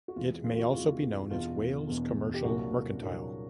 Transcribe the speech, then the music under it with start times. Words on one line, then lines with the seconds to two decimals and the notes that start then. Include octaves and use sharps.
It may also be known as Wales Commercial Mercantile.
0.08 F#4
0.16 E2 C3 E3 G#3 F4
0.44 F4
0.58 F#4
0.73 E2 C3 E3 G#3 F4
1.30 E1 E2 B2 F4
1.88 E1 E2 B2
2.34 G4
2.44 C2 A#2 F#3 A#3 D4 F#4
3.01 C2 A#2 F#3 A#3 D4